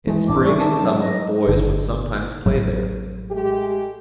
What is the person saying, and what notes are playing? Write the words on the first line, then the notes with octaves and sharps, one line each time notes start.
In spring and summer boys would sometimes play there.
E3 G#3 A3
A1 A2 D4 D6
G3 A3 A#3 C#4 C#6
D#4 A5
F#3
D#5
G1 D3
A1 A2 F#3
G#3 A3 G4